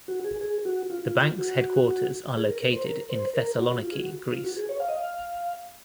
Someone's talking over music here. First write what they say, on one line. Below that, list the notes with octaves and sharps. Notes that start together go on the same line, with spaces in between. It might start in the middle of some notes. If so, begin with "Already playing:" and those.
The bank's headquarters are located in Thessaloniki, Greece.
F#4
G#4
G#4
F#4
F4
F4
F#4
G#4
A#4
A#4
C5
A#4
C5
A#4
F#4
F4
G#4
F#4
F4
F#4
G#4
C#5
F5
D#5
F5